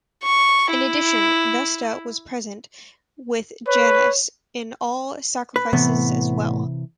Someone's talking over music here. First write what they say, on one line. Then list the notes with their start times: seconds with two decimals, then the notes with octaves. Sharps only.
In addition, Vesta was present with Janus in all sacrifices as well.
0.24 C#6
0.71 E4
3.68 B4 C#5
5.56 B4
5.73 A2 C3 E3 B3